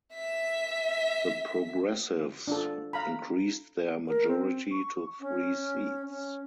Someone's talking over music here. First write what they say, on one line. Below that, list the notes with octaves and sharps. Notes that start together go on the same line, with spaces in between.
The Progressives increased their majority to three seats.
E5 B6
D4 F4 A4
F5 A#5 B5
A#4
C4
C#6
C#4
C#4